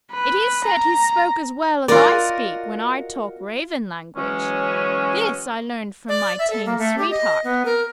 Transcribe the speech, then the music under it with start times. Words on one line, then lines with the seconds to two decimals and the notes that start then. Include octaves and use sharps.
It is said he spoke as well as I speak when I talk Raven language; this I learned from my tame sweetheart.
0.12 B4
0.64 A#5
1.88 F4 F#4 A#4 D5 D#5
4.16 E3 F#3 G#3 C#4
6.08 D5
6.39 E5
6.50 A4
6.66 A#3
6.78 A3
6.98 G4
7.11 D#5
7.44 B3
7.65 A#4